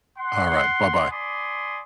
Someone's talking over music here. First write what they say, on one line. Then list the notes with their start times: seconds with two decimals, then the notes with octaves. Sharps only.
Alright. Bye-bye.
0.19 F#5 C6
1.11 D5 G#5 B5 C6 D6 D#6